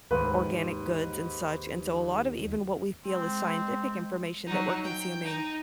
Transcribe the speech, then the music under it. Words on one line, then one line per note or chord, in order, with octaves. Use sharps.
organic goods and such, and so a lot of even what we feel is scientific information that we're consuming
D#2 G#2 B4
G#3 C4
F#3 D#4
G5
D#4